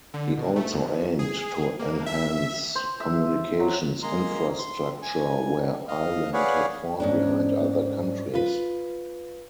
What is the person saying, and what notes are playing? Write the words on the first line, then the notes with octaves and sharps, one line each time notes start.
He also aimed to enhance communications infrastructure where Ireland had fallen behind other countries.
D3
B2
A3
E2
G#4
A#3
E5
C5
E5
F#3
G#3 A#3 A#5 C6
C6
G#5
D#5 F5
G#4 B4 C#5 D5 F5 F#5
G#2 C#4 D4
F4 B4